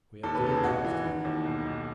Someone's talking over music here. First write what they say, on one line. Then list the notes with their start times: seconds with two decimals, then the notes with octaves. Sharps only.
We are very comfortable.
0.23 D#2 A4
0.35 B4
0.44 C#3 A4
0.57 G#4
0.64 G#1 F#4
0.85 E3
1.04 D#3
1.25 D#2
1.45 B1
1.66 B1